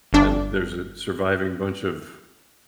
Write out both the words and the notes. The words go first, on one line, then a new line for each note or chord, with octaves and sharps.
and there's a surviving bunch of
G1 D4